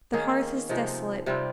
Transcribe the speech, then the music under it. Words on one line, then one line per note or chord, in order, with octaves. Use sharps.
The hearth is desolate.
D#3 A#3 C#4 G#4
C3 F3 G#3 D#4
C3 G3 C4 F4